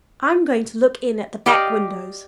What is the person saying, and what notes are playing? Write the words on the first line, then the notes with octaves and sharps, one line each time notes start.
I'm going to look in at the back windows.
G4 D5 D#5 F5